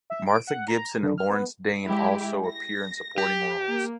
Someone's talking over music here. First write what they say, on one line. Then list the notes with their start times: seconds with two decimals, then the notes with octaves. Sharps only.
Martha Gibson and Lawrence Dane also appear in supporting roles.
0.10 E5
0.26 D7
0.47 F#5
0.68 A#5
1.03 D3
1.18 F6
1.30 B3
1.84 G#3 E4 G4
2.47 A#6
3.18 G4
3.68 A#3